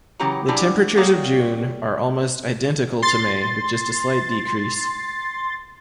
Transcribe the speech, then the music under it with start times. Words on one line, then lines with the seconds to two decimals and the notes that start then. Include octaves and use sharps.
The temperatures of June are almost identical to May, with just a slight decrease.
0.20 C#3 E3 F#3 G4 C#5 A#5
0.48 F#3 D4 E4 G4 D5 G#5
0.97 G3 A#3 F#4 G#4 C#5 F5
3.03 C6 A6